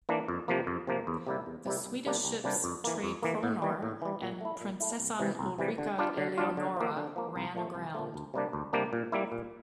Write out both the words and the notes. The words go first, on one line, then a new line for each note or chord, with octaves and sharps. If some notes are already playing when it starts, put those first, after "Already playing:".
The Swedish ships "Tre Kronor" and "Prinsessan Ulrika Eleonora" ran aground.
E3 A#3 D4
F2
C3 F3 A#3
F2
C3 F3 A#3
E2
C3 G3 A#3 E4
E2
C3 G3 A#3 E4
C2
C3 G3 A#3 D4
C2
C3 G3 A#3 D4
F2
E3 A#3
F2
E3 A#3
A2
E3 G3
A2
E3 G3
A#2
A3 E4
A#2
A3 E4
C2
C3 E3 G3
C2
C3 E3 G3
D3
G3 D4 F4
D3
G3 D4 F4
D3
F3 A#3
D3
F3 A#3
C2
A#2 F3 A3
C2
A#2 F3 A3
D2
C3 G3 A#3 D4
D2
C3 G3 A#3 D4
A#2
G3 A#3 E4
A#2